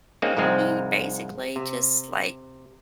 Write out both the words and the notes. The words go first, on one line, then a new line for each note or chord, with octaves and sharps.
he basically just like
G#3 A#3 C4 C#4 D#4
C2 G#2 F3 G#3 C4
C3